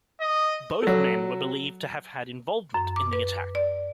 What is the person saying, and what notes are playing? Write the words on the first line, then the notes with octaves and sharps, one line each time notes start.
Both men were believed to have had involvement in the attack.
D#5
F#3 A4
F#2
D6
B4
D5